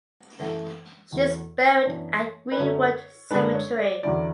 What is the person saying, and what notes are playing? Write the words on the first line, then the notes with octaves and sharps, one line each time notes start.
She is buried at Greenwood Cemetery.
F#2 E3 A3
E2 B2 A3 E4
F#2 E3 B3 D4 C#5
B4
F#2 D3 F#3 A3 C#4 C#5
F#2 D3 G#3 D4 B4
C#5
D5
E2 D3 F#3 C#4 E4 D5